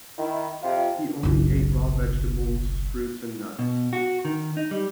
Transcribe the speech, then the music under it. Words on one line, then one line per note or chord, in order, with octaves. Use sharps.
He only ate raw vegetables, fruits and nuts.
D#3 E4
F2 C3 F4
F#1 B1
B2
F#4
D#3
D#4
G3